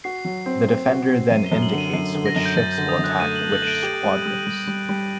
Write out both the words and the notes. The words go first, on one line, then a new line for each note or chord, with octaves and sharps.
The defender then indicates which ships will attack which squadrons.
F#4 C7
F#3
C4
C4
F#4
C4
F#2 D#7
G7
F#2
F#7
D3
D#7
F#2 C7
D3
A#6
F#2
G6
F#2 A6
G6
D3
D#6
F#2
F#6
A3 D#7
F#7
A3
F#7
A3 D7 D#7
G4
G3
G3
G3
G3
G3